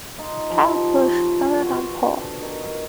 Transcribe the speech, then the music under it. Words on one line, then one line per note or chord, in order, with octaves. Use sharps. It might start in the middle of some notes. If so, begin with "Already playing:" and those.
Kyle Busch started on pole.
D#4 F4
F3 G4
C4 C#5
B3 F#4 C5
D3
D#3